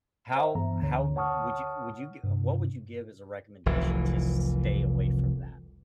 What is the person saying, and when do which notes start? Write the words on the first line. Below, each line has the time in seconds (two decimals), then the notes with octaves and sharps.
How how w would you would you gi what would you give as a recommendation to stay away from that?
0.34 C5 E5
0.55 G2 E3 B3 A#5
0.81 D2 D3 C#5
1.16 C#5 F#5 A5 C#6 D#6 F6
2.23 G2 C3
3.66 F1 C2 E3